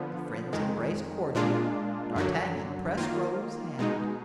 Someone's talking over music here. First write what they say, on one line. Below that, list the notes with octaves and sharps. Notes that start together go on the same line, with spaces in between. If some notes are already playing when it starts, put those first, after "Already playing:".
The friends embraced cordially; D'Artagnan pressed Raoul's hand.
Already playing: D3 F3 B3
F2 D#3 G#3
A#2 G#3 D4 F4
F#2 D3 F#3
D#3 A#3 F4
B2 G#3 D#4